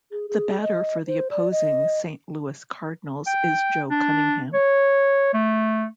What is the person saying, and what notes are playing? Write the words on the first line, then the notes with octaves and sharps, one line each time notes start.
The batter for the opposing Saint Louis Cardinals is Joe Cunningham.
G#4
G#4
D#5
C5
D5
D#5
G5
D4
C#5
A3